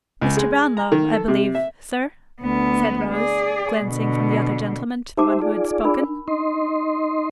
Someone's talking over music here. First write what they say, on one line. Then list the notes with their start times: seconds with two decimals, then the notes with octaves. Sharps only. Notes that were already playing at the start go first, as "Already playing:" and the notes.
'Mr. Brownlow, I believe, sir?' said Rose, glancing from the other gentleman to the one who had spoken.
0.21 C#2
0.37 G#3
0.77 A#5
0.92 D#3
1.13 A4
1.28 C3
1.55 E5
2.42 D2 B3
3.12 G#4 D5
3.82 B2 D3
5.17 D#4 G4 C5 E5 A5 D6
5.42 F4 G#4 D5
5.84 D4 A#4 B5
6.28 D#4 D#5 C6